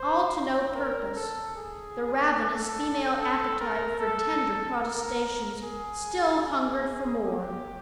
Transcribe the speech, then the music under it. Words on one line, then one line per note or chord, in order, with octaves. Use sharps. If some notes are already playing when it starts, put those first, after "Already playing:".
All to no purpose! The ravenous female appetite for tender protestations still hungered for more.
Already playing: C5
A#4
A4
G#4
A4
A4
A#4
A4
A#4
G#4
G#4
G4